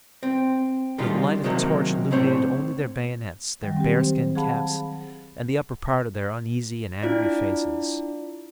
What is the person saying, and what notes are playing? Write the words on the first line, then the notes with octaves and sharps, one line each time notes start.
The light of the torch illuminated only their bayonets, their bear-skin caps, and the upper part of their uneasy and angry faces.
C4
D#3 G3 G#3 C#4 D4 F4
C3 D#3 F#3 G#3 A#3 C4
C#2 A2 C4 D4 C5 C#5
D#3 F#3 G3
C4 G4
C5
G#4 F5 F#5 A5 B5
D4 E4 F4 D5